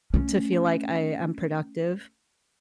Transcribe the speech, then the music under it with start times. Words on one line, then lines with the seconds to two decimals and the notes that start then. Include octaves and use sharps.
to feel like I am productive,
0.14 A3 C#4